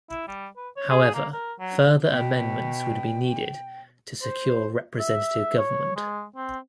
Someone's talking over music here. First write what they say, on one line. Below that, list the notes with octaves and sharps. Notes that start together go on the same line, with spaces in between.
However, further amendments would be needed to secure representative government.
E4
G3
B4
C#5
G#4
A#3
A#4
F#3
B2 G5
C5
E5
C#5
G#3
C4